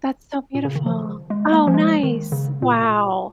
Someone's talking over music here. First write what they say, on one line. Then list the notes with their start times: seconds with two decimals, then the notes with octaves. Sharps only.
That's so beautiful. Oh, nice! Wow.
0.55 A#2
0.65 C#3
0.75 D#3
0.86 F3
1.30 G#3
1.46 G#3
1.52 A#3
1.67 F3
1.74 G#3
2.03 D#3
2.32 C#3
2.62 A#2